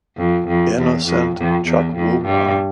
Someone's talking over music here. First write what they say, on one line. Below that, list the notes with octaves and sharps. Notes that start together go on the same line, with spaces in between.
Innocent Chukwuma.
F2
F2
E2
F2
F2
E2
F2
G2